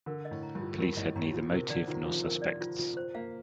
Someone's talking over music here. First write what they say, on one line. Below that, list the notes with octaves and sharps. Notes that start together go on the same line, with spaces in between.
Police had neither motive nor suspects.
D3 A#4
D#5
A2
A#5
G2
F4
G2 A#4
A2 D#5
A2 A#5
A#2 F4
C3 A#4
D3 D5
D#3 F4
F3 F4
A#4
D5
F4
F4
C5
A#3 F5